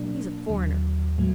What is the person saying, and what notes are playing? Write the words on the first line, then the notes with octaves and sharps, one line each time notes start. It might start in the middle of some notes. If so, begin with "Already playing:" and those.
He's a foreigner.
Already playing: B2 F#3 A#3 D4
D#2 D3 F#3
A2 F#3 A3